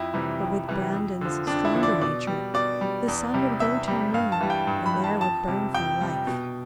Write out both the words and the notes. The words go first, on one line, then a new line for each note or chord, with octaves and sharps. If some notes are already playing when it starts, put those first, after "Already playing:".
But with Brandon's stronger nature the sun would go till noon and there would burn for life.
Already playing: F2 E4
C3 E3 G3
F2
C3 E3 G3
F2
D3 F3
F2 D4
E4
D3 F3
D5
B2 D5
G3
B2 D5
G3
E2
C3 G3
E2 E5
C3 G3
G2 F5
A5
E3 G3
G5
G2
B5
E3 G3
A5
F2 A5
C3 G3
F2 G5
C3 G3
B2